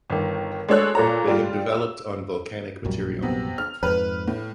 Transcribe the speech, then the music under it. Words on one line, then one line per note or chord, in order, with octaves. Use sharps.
They have developed on volcanic material.
G1 D#3
G#3 D4 A4 C#5 E6 F#6
A#2 A4 C#5 A#5
G3 F4
E6
A#1 F#2 G3
C3 B3
F6
F2 G#2 B4
A2